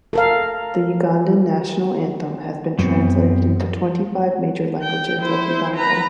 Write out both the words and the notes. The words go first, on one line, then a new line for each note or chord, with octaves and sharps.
The Ugandan national anthem has been translated into twenty-five major languages of Uganda.
A4 A#4 F5
F#2 B3 C4
G5
E4 C5
B4 A#5